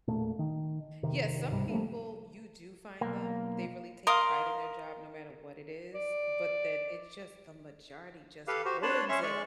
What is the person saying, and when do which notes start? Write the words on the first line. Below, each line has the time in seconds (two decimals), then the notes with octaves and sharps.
Yeah, some people, you do find them, they really take pride in their job no matter what it is, but then it's just the majority just ruins it,
0.08 E1 A#2 A3
0.39 D#3
1.03 F1 C3 D#3
1.50 C#2 G#2 C3 G3
1.69 F3 G3 A3 A#3
3.01 B1 A#3
4.07 A#4 F5 C6 D#6
5.94 D5
8.47 G4 A4 B4 F5
8.65 F#4 G4 C5
8.82 D4 B4 C#5 A5 C6 F#6
9.09 C#4 C#5 E5 C6 C#6
9.23 G#3 D5 C#6